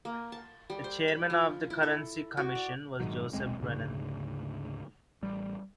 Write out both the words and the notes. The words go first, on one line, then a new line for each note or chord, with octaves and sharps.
The Chairman of the Currency Commission was Joseph Brennan.
A#3
A5
G3
C5
B5
F3
E4
A4
F#4
D5
G#2 D#3 F#3
D#1 B1 G#3 C4
D2 G#2 C#3
A1 G3